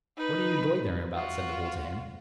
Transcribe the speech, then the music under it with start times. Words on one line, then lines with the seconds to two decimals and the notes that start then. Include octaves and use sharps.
"What are you doitherin' about?" said the bull to him.
0.17 D#4 B4
1.14 F4 F#4